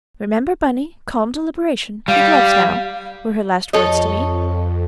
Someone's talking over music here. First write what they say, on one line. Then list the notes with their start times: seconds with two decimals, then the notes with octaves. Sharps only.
"Remember, Bunny--calm deliberation--your gloves now," were her last words to me.
2.08 G3 F5
3.73 F2 A4 C#5 D#5